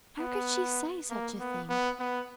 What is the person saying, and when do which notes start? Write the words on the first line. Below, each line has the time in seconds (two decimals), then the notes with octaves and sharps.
How could she say such a thing!
0.21 B3
1.10 A#3
1.40 B3
1.69 B3
1.99 B3